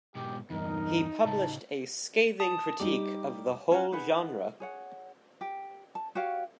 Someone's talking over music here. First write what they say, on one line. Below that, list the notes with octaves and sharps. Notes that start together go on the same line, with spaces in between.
He published a scathing critique of the whole genre.
G#2 B2 G4
E2 G2 D#4 A#4
A2 C#3 A5
A5 D#6
G3 D#4 G4 D6
C#4 F4 F#4 G#5
D#4 G#4 B4 F#5
G#4 C#5 F#5
G4
A5
F#4 G4 C#5 F5